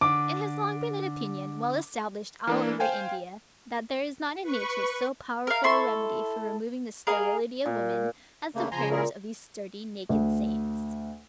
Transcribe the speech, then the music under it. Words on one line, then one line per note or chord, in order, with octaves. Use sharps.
It has long been an opinion, well established all over India, that there is not in nature so powerful a remedy for removing the sterility of women, as the prayers of these sturdy naked saints.
D3 D6
E3 A#3 D4
C5 F5 G5 G#5
B4 C#6
A#4 F5
E4 A4 C6 C#6
G#4 A#4 D#5 F5
A#2
E2 C#3 A3 A#3
C#3 F3 G#5 A#5 C6
A#2 E4 G#4 A#4
D2